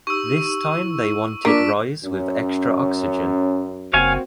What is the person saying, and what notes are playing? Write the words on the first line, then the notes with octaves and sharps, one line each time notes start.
This time they wanted rise with extra oxygen.
D#4 G4 C#6 E6
E4
A#3 D4 F4 D6 B6 D7
F#2 C#4
F#1 A#3 C4 F#4 C#5 F5 G#5